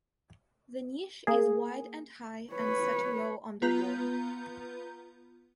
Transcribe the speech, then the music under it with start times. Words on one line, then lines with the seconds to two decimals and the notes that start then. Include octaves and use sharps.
The niche is wide and high and set low on the wall.
1.27 A#3 G#4
2.53 B4 C#5
3.62 B3 F4 B4 A#5 G6